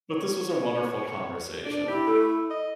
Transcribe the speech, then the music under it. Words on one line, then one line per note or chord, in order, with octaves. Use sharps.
But this was a wonderful conversation.
C#5
D4 D5
E4 G4
A3 A4 B5
D#5